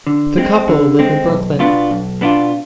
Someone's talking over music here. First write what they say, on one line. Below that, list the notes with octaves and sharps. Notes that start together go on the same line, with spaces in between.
The couple live in Brooklyn.
D3
G#3 C4
D3
G#3 C4
B1
B2 B3 D4 F4
B1
B2 B3 D4 F4